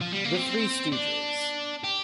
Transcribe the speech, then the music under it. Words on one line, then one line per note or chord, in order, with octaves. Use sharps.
The Three Stooges.
F3
G3
A#3
C4
D4
G4